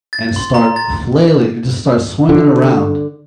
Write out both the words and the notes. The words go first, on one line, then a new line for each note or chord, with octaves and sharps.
and start flailing, we just start swinging around.
A6
C6
A#5
A6
D3